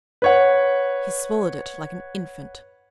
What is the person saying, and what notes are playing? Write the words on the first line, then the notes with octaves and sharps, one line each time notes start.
He swallowed it like an infant.
B4 C#5 F#5